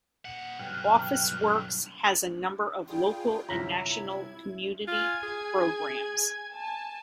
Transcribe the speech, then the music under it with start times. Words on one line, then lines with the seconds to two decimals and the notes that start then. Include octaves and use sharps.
Officeworks has a number of local and national community programs.
0.25 A#2 F#5
0.59 B1 G2 G5 F6 F#6
2.88 G3 F4 G#4 G5
3.49 C2 F#2 D3 E4 F4 C#5 A#5 B6
3.88 G#6
4.88 F4 G#5 G#6
5.23 G#4
6.54 G#5 A5